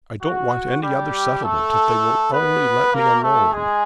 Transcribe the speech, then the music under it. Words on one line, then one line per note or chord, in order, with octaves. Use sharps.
I don't want any other settlement,--if they will only let me alone.'
F#4
G3 G4
A3 A4
B3 B4
A#3 A#4
A3 A4
G#3 G#4